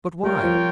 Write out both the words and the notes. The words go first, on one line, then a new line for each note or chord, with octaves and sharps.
"But why?"
G3 F4 A#4 C#5 G5
F3
F3